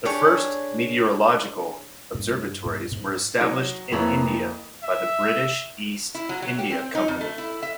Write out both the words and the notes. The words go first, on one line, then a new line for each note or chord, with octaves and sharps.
The first meteorological observatories were established in India by the British East India Company.
D4 G4 G#4 C#5
G2
G2
G#2
F#3 C#5 D#6
F2 A#3 E4 A#4 B4 C#5 F5 A#5
E5
E4
F#3
F#3
G4
C4
D#4
F2
A3
E4
E5